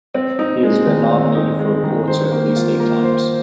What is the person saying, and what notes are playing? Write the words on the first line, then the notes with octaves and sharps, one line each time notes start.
He has been nominated for a Pulitzer at least eight times.
C4
D#4
G#3
D#3
C4
D#4
G#3
D#3
C5
A#3
F4
A#3
C5